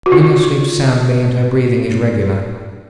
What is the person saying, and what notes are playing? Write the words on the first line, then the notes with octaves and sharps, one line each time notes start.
Mina sleeps soundly and her breathing is regular.
F#4
F4